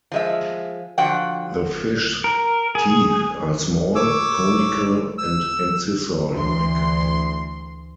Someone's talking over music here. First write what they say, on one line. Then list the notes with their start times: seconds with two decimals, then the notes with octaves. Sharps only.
The fish's teeth are small, conical, and incisor-like.
0.12 F3 G#3 E5
0.98 D3 F3 F#4 F#5 G5
2.24 A#4
2.75 G#4
3.95 C#5 D6 E6
5.18 E6
6.31 D2 E3 C6